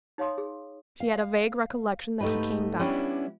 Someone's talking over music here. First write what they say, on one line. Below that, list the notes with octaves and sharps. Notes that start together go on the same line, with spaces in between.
She had a vague recollection that he came back.
D#4 C#5 F5 C6 D#6
G#4
F5
G#2 A3 D#4 G4 B4
G3 B3 C#4 D4 E4